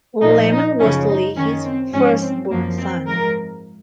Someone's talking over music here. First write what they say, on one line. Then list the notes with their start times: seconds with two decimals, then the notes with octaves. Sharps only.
Laman was Lehi's first-born son.
0.22 A#2 F3 D#4
0.51 D#4
0.79 F#2 C#3 F3 C#4
1.08 D#4
1.36 F#2 D#3 C#4
1.64 C4
1.93 G#2 F3 C#4
2.21 C4
2.50 F#2 F3 A#3
2.77 C4
3.06 G#2 F3 A#4